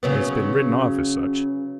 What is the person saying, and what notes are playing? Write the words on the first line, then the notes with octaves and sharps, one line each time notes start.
It's been written off as such.
C#3 F#3 B3